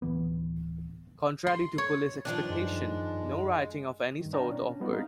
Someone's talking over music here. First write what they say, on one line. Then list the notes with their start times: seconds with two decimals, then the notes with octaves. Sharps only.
Contrary to police expectations, no rioting of any sort occurred.
0.02 D1 E3 B3
1.47 C6
1.78 C#5
2.25 G2 D#3 F3 D4
2.50 F#2 G#3
4.21 G2 D#3
4.33 D4 D5 F5 G5 A5 A#5
4.50 B2 C#4 D4 E4
4.67 C#4 D4
4.80 G3 B3 D#4 F4 F#4
4.93 C4 D#4 F5